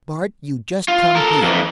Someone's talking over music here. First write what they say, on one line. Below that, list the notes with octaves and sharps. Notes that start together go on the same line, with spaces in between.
"Bart, you just come here!"
F4
A4 A#4
F2 E3